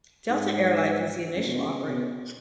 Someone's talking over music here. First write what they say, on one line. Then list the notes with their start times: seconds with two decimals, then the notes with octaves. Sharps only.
Delta Air Lines was the initial operator.
0.30 G#2
1.35 F#2
1.46 B2
1.57 C#3
1.88 B2